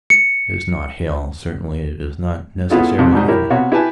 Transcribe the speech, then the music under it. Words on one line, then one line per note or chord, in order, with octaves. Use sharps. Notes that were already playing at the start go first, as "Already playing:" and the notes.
It is not Hell, certainly it is not necessarily Heaven.
C#7
B3 C#4 E4 F4 G#4 A4
F2 C3 D#3
G#2 B2 G3 D#4
E4 G4 A#4 C#5
C3 B3 F#4 C#5 F5
E4 G4 B4 G#5 A5